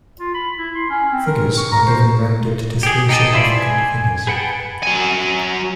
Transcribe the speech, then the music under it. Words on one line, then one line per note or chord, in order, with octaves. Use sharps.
Figures are given rounded to three significant figures.
F4
B5
E4
C6
C#4
C4
A#4
C#6
A#5
C5
G4 G#4
D#4 G4 G#4 D#5 A5
E4 F4 B4 C5 D5
G#5
G#4 B4 F#5 G5 A5
F#3 G#5